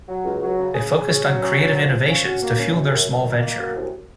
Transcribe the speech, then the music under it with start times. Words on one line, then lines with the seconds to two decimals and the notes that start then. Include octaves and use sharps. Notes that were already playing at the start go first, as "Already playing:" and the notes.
They focused on creative innovations to fuel their small venture.
0.08 F#3
0.24 C#2
0.42 F#3
0.59 C#3
0.74 G#4
0.91 G#4
1.08 C#4
1.24 F#3
1.41 C#4
1.59 F#3
1.75 F3
1.92 F3
2.08 C#4
2.25 F#4
2.42 A#3
2.58 C#4
2.76 F#2
2.91 F#2
3.09 F#2
3.26 D#3
3.42 A#3
3.58 F#2
3.76 C2